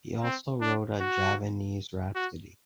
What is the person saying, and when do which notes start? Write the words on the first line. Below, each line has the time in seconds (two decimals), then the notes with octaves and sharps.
He also wrote a "Javanese Rhapsody".
0.23 C4
0.61 D4
1.00 F#4
2.15 F#4